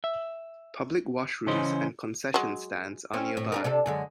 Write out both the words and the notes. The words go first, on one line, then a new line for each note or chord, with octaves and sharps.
Public washrooms and concession stands are nearby.
E5
C#3 E3 C#4 C5 D#5
F#3 G#3
C4 C#4
A2
D4 G4 A#4
C3 D4 A4
F#2 D3 G#3